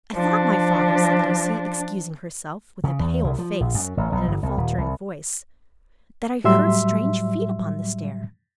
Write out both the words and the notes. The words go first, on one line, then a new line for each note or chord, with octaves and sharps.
"I thought, my father," said Lucie, excusing herself, with a pale face and in a faltering voice, "that I heard strange feet upon the stairs."
F3 D4
C#3
E2
C2
F3
A#1
F#2
A1
B1
G1
C2
D#1
C2
A2 F#3 G3 E5 C6 E6